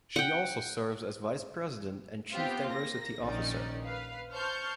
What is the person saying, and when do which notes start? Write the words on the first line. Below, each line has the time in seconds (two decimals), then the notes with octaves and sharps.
She also serves as Vice President and Chief diversity officer.
0.16 F#5 G5
2.32 B3 C4 F4 G4
2.71 A#3 A#6
3.23 A#1 D#3 C#4 D#4 D5
3.84 B4 F5
4.33 C5 A5 C#6 F6 G6